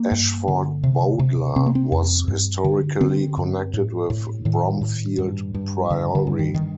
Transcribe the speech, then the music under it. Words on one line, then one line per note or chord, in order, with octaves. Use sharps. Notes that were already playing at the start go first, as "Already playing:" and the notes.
Ashford Bowdler was historically connected with Bromfield Priory.
Already playing: A#3
G2
D3
C3
C3
C3 C4
A#3
C4
F2
G2
D3
D3 C4
G2
A2
A2
A2 D#3
A2
G2
G2
G2 D3
D3
G2
D#3
D#3